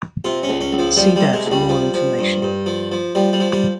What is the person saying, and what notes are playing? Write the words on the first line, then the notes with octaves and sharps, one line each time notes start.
See there for more information.
C3 F4
C#4
C#2
C#4
C#2
F3
F3 G3
C3 G3
G#3
C#2
G3
F3
F3
G2
G2
F3
F3
F3 G3
G3
F3
G3